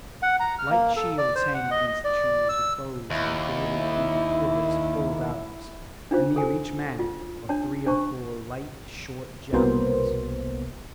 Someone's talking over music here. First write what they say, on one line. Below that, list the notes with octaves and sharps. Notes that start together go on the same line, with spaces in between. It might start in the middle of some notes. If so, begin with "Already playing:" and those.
Light shields hang against the trees with bows and gaily painted quivers full of arrows, and near each man are three or four light short javelins.
F#5
A#5
F6
A#3
A4
D5
C5
F#5
D#5
D#5
D5
E6
D#2 E4
D4 D#4 F4 C5
A4 G#5
F4
D4 C#5 A5
D4 C5 A5 C#6
C2 B2 A#3 B3 C5